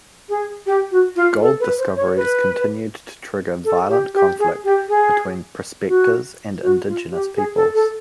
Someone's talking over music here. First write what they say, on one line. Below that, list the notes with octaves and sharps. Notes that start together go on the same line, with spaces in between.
Gold discoveries continued to trigger violent conflict between prospectores and indigenous peoples.
G#4
G4
F#4
F4
A4
B4
C5
C#5
B4
A4
G4
G4
G#4
G4
G#4
F#4
F#4
F4
G4
G#4
A4
A4